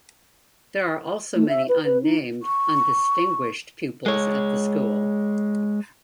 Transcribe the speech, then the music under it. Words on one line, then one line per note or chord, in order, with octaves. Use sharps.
There are also many unnamed, undistinguished pupils at the school.
A3
E5
B4
B4
D#4
C#6
G#3 C#5